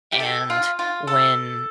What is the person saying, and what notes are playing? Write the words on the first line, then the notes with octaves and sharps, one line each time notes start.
and when
G4
A4
F4
F4
A4